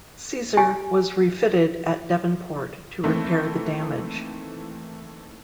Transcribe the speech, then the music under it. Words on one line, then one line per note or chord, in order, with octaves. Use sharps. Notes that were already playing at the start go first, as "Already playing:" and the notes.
"Caesar" was refitted at Devonport to repair the damage.
G4 G#5
D#3 E3 A3 A#3 C4 E4